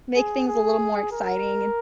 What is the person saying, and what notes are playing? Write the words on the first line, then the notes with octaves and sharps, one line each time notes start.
make things a little more exciting and
G#4
G#4
A#4